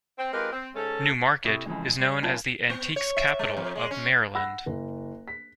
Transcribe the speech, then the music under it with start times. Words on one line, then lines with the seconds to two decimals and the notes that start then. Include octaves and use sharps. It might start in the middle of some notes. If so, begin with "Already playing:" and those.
New Market is known as the Antiques Capital of Maryland.
0.18 C4
0.33 G#3 C4 F4 G4 A#4 B4
0.52 C4
0.75 G#2 C#4 A4
1.44 C3 E4 A4 C#6 D#6
1.65 F2 C#3 E3 G#3
1.99 G3
2.22 F#1 B1 C#4 F4 A5 G#6
2.70 B3
2.96 C#5
3.17 E5
3.39 G#3
3.57 F2
3.75 G#3
3.91 C#4
4.35 F#5 B5 E6 F#6 A#6
4.66 F#1
5.28 B6